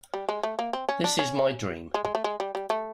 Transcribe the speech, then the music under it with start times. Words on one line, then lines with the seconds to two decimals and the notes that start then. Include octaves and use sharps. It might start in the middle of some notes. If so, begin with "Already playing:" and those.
This is my dream.
0.14 G3
0.29 G#3
0.43 A3
0.59 A#3
0.73 C4
0.89 C#4
1.04 D4
1.19 C#4
1.94 G#3
2.05 G#3
2.15 A3
2.24 G#3
2.40 G3
2.55 G3
2.70 A3